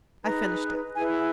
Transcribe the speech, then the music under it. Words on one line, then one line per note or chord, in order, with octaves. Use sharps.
I finished it.
D#4 G#4 B4 A#5
E4 G#4 B4 G#5